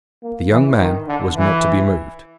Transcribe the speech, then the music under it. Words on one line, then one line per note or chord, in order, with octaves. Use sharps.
The young man was not to be moved.
A#3
E3
D#3
D3
E3